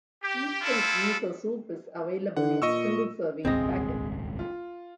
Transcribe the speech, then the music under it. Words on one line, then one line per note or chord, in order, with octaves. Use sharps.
Instant miso soup is available in single-serving packets.
G4
G3 G#3 E4 F4 A4
D3 F#5
A#2 D#5 C#6 E6
D#1 G#1 C#2 G#3 C4 D#5
F4